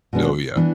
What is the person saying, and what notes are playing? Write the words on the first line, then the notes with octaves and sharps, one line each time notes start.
Oh, yeah.
B2 G#3 B3 D4
E3 B3 D4